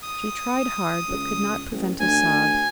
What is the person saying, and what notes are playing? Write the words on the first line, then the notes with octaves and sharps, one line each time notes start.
She tried hard, but could not prevent a sob.
D#6
C#2
A1
D2 G#5